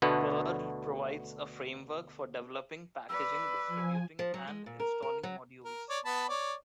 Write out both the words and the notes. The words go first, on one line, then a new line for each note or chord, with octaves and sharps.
Perl provides a framework for developing, packaging, distributing, and installing modules.
D2 B2 D3 A3 B3
B4 D5 E6
F3 G#5
F3
F#3
G#3
A#2
A#4
A#4
F#3
A#4
C#5 D5
B3 A5 B5
C#5 D5